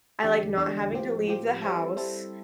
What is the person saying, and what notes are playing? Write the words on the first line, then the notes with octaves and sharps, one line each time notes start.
I like not having to leave the house,
E2 D3 G3 D4 G4
E2 D3 G3 D4 G4
A2 F3 C4 G4
A2 F3 C4 G4
G3 C4 E4 A4
G3 C4 E4 A4